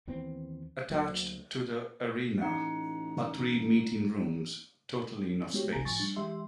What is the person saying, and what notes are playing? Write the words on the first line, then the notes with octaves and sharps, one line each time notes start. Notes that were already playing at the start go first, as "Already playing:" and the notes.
Attached to the arena are three meeting rooms totaling of space.
D#2 E3 B3 C4
D2 F#3 A#3
A1 D#4 F#5
G#3 A3 B3 F#4 G4 C#5
G1 C2 C3 G#5 A#5 A#6
A2 F3 G#5 C#6 A6
G3 D4
E3 G#3 G4 E5 C6